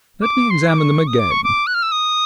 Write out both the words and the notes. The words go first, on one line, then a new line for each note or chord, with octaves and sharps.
Let me examine them again.
D6
C6
D6
C#6
D#6
D6
C#6
D6
F#6
F6
E6
D#6